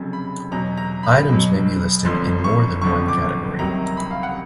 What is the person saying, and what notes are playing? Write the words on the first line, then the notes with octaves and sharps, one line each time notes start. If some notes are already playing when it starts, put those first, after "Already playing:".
Items may be listed in more than one category.
Already playing: F1 F2 C#3 F#3
B5
E2 B2 F#3 A#5
A#5
B5
B1 B2 F#3
G1 F2 D3 F3 C6
C#6
F#1 F2 D3 F3 C#6
D6
C2 C3 D#3 F#3 A#5
A#5
B5
F5
F#5